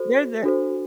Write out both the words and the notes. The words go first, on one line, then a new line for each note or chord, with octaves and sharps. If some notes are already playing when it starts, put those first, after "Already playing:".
They're the
Already playing: F#4 A4 C5
D4 F#4 A4 C5